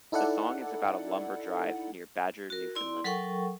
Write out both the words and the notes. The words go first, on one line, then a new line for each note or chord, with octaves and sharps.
The song is about a lumber drive near Badger, Newfoundland.
D#4 E4 A4 D5 F#5
F#4 A#4
E4 D5 C6
F#3 A4 A#4 F#5 G5 C#6